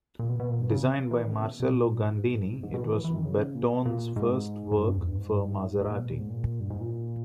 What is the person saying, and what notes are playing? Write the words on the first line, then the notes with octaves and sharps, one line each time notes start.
Designed by Marcello Gandini, it was Bertone's first work for Maserati.
A#2
B2
B2
A#2
B2
C#3
E3
D#3
C#3
B2
B2
A#2
G#2
G#2
B2
D#3
E3
E3
D#3
C#3
A#2
A#2
G#2
G#2
G2
G2
E2
G2
G#2
G2
G#2
G#2
A#2
B2
A#2
G#2
A#2
G2
G#2
A#2